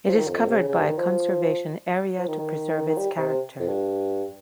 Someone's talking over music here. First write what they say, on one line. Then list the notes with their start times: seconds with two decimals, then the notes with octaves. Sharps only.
It is covered by a conservation area to preserve its character.
0.07 F3
0.17 D#3
0.27 F2
0.38 F2
0.48 C3
0.57 C#3
0.68 C#3
0.78 G2
0.88 D#3
0.97 F3
2.18 F3
2.28 D#3
2.38 D#3
2.78 D#3
2.88 D#3
2.98 G3
3.17 C3
3.28 C3
3.59 F2
3.68 G2